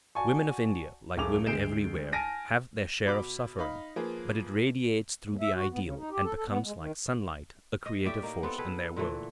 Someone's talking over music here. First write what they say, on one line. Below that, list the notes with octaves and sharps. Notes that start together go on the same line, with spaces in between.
Women of India, like women everywhere, have their share of suffering, but it radiates through the ideal, and becomes, like sunlight, a creative force in their world.
F#4 D5 G#5 A5 C#6
C#2 F#2 C#3 A4 D6 F7
D2 G#3 G6 C7 D7 E7
G#5 A5 F6 A#6 D7 D#7
B2 B5 D6
D#4 F5 B5
F3 A#3 G#4 B4
D#2
E5
F#4
B3
C#3
D#4
G4
A4
A4
B3
G#3
D#3
D#5
A2 G4 D5 E5
A#3 D#4
B3 C4 A4
G#4 A4 B4
A#2 D3 E3 A3